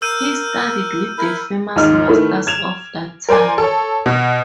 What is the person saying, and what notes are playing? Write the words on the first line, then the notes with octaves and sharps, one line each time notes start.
He studied with the famous masters of that time.
A#4 E6 G6 D#7
E4 A#4 B5
D#2 G#2 D#4 F6
D#3 A3 E4 B4
G#6 E7 F7
A#4 C5 D5 G#5
A4 C#5
B2